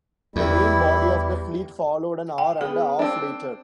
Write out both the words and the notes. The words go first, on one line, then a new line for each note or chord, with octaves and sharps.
The main body of the fleet followed an hour and a half later.
E2 G3 E4
G5
B3 G#4
C4 D4